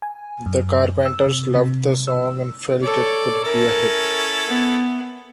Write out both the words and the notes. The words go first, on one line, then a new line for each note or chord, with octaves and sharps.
The Carpenters loved the song and felt it could be a hit.
G#5
F#2
E6
C3
C3
E6
A4 C#5 D5
C#4 E4 A4 A#4
B3